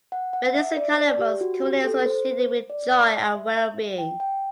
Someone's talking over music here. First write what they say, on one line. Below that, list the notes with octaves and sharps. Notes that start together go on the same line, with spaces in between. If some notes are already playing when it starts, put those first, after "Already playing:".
Red is the color most commonly associated with joy and well being.
F#5
F#5
E5
D5
D5
G4
F#4
G4
A4
C5
D5
E5
G5
G5